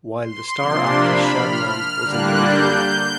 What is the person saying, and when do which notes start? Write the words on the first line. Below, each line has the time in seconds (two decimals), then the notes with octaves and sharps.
While the star actress Shabnam was in the lead role.
0.22 C6
0.57 C3 F3 A#3 D4 C6
0.93 B5
1.30 F6
1.66 F6
2.02 D3 G3 A#3 D4 F#6
2.38 G6